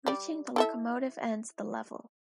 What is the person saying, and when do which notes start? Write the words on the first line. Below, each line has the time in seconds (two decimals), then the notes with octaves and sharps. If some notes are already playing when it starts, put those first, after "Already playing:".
Reaching the locomotive ends the level.
0.06 G3 D5
0.56 E4 A4 E5